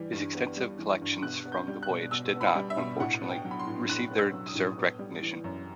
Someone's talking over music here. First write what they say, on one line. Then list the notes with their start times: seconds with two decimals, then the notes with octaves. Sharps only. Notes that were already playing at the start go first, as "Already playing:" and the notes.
His extensive collections from the voyage did not, unfortunately, receive their deserved recognition.
Already playing: E3 G3
0.12 G2
0.35 B3
0.57 G3
0.79 E3
1.02 G2
1.23 B2 F#6
1.45 B3
1.52 G6
1.68 G3
1.83 F#6
1.90 B2
2.11 B2 E6
2.34 B3
2.41 B5
2.55 G3
2.70 E5
2.78 B2
3.00 A2 F#5
3.22 B3
3.30 G5
3.45 F#3
3.51 B5
3.59 C6
3.67 A2
3.88 A2 F#6
4.11 B3
4.18 E6
4.34 F#3
4.48 D#6
4.55 A2
4.78 B3
4.99 G3
5.22 E3
5.44 F#2